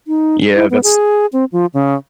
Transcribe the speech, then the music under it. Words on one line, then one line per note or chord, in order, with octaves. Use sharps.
Yeah, that's
D#4
E4
B3
G#4
C4
F3
C#3